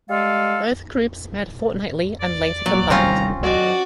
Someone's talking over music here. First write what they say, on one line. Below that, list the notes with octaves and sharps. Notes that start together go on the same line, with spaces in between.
Both groups met fortnightly and later combined.
G3 G#3 A4 F5
D5
A#2 F#3
C3 D#3 G3 C4 C#4 F4 A#5
F#2 F#4 D5 D#5